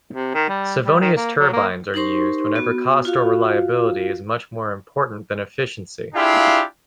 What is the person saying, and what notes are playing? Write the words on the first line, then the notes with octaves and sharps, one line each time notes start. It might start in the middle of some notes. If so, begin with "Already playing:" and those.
Savonius turbines are used whenever cost or reliability is much more important than efficiency.
C3
D#3
G3
G3
D#3
A#3
F#3
A#3
D#4 G4 A#4 C5 C6 C#6
B3 F#4
F4 F#4 F5
D4 E4 F4 G4 G#4 F5